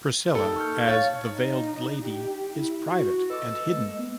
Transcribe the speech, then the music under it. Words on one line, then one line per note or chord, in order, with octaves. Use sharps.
Priscilla, as the Veiled Lady, is private and hidden.
A#3 D#4 A4 G5
C#6 F6 G6
C#5 F5 F6 A6
D#4
G4
E4
F#4
A4 B4 D#5 D6
G#3 A#3
B3